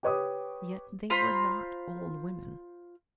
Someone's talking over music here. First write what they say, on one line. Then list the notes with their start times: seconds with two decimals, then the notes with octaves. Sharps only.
Yet they were not old women.
0.03 G4 B4 C#5 D6 D#6
1.10 F4 C5 A#5 B5